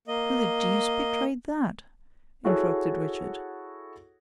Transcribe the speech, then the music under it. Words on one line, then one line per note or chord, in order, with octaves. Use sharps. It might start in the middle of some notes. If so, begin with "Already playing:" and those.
"Who the deuce betrayed that?" interrupted Richard.
A#3 D#5
E4 F#4 G#4 A4 C#5 F#5